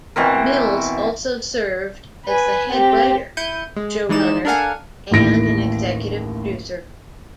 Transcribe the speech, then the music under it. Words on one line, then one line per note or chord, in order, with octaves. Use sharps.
Mills also served as the head writer, show runner and an executive producer.
B2 E3 C4 A#4
B4 G#5
C4 G4
E4 G6 C#7 D#7
G#3
E3 G#3 D#4 D5 E7
D4 A4 A#4 F5 F#5 G#5
A1 D#2 E4 A#6 D7